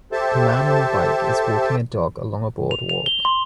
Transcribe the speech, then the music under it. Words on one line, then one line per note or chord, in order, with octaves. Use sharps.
A man on a bike is walking a dog along a boardwalk.
G4 A4 C5 E5 A5
F7
F7
G7
C6